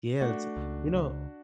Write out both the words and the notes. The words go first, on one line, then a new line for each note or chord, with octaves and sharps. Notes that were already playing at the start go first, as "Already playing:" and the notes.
Yeah, it's you know
A3 D4 F#4
C#2
C#2